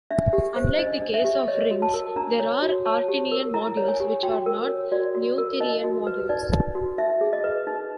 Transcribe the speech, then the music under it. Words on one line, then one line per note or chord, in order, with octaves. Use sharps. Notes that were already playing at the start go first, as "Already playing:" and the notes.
Unlike the case of rings, there are Artinian modules which are not Noetherian modules.
D4 E5
G4
C5
D4 D#5
D4
E5
G4
C#5 D#5
F#4
A5
A#4
D4 A#5
C#5
F#4
C#5 A5
G4
A#4
E4 A#5
C#5
G#5
G4
F#4 G5
A#4
C#5
F#4 D5
F#4
A#4
D#4 D#5
F#4
B4
D#4 D5
D#4
F#4
D#4 E5
G#4
D#5
B4
D#4